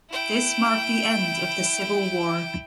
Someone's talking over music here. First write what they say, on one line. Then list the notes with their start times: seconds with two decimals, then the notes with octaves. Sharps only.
This marked the end of the civil war.
0.11 E4 G5